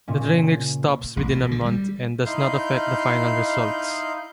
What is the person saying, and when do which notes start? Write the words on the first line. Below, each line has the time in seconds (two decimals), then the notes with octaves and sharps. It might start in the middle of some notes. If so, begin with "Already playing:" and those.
The drainage stops within a month and does not affect the final results.
0.08 A#2 C#3 C#4
1.17 A1
1.29 A#2
1.51 D3
1.66 G3
2.26 D#4 E4 F5 C6 G6